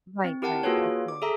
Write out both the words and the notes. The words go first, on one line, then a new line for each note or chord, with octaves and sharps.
Right, right, of course.
C4
E4 G4 A#4 F#5 G5 A5
A#3 F4 F#4 G#4 B4 C#5
D6
G#4 A4 E5 A#5